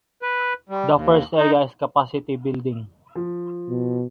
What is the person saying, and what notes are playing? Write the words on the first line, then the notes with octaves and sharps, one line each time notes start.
The first area is capacity building.
B4
G3
D#2
D#4
F3
B2